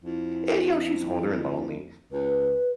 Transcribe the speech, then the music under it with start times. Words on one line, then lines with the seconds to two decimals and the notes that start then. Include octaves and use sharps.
And, you know, she's older and lonely.
0.04 F2 E4
2.12 C#2 B4